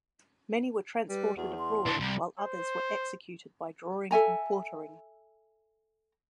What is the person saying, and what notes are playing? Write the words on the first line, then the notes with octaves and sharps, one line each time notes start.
Many were transported abroad, while others were executed by drawing and quartering.
G3 B4
E2 F#4
C6
E3 D4
C2
C5
A4 E5 G#5 A#5